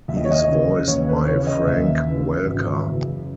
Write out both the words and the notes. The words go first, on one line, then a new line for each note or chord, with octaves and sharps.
He is voiced by Frank Welker.
D#2 E5
D#5
C#5
D#5
C#3 E3
D#2 C#5
B4
C#3 E3 C#5
D#5
D#2 E5
C#3 E3
G#1
F#2 C#3 E3